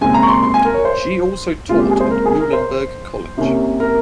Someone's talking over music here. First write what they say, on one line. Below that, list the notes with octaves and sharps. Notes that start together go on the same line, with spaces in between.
She also taught at Muhlenberg College.
D#2 C#3 G#3 C4 G#5
A#5
C#6
C6
C6
G#5
A#4
C#5
C5
D#2 C#3 G#3 C4 F4
G4
G#4
C5
A#4
G#4
A#4
C5
C3 D#3 A#3 C#4
A#4